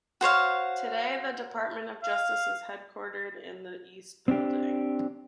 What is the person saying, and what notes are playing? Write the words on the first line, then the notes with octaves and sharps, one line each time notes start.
Today the Department of Justice is headquartered in the East Building.
F#4 C5 C#5 F5
F5
C4 D4 G4